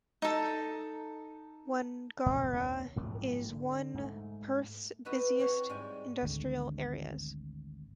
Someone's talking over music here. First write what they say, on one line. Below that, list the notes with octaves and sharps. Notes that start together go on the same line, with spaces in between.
Wangara is one Perth's busiest industrial areas.
D#4 A4
F2 B2
D#2 A#3 C#4
A1 G#2 F3 F#3
D3
G#2 A3
B3 D#4 F#4 B4 E5 B5
C4 E4 F#4 C#5
G#2 G3 G#3 F4 G#5
G#1 D2